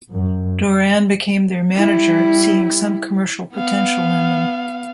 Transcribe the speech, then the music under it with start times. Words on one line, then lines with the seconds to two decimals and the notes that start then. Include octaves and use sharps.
Doran became their manager, seeing some commercial potential in them.
0.11 F#2
1.75 G3 E4
3.53 B3 F5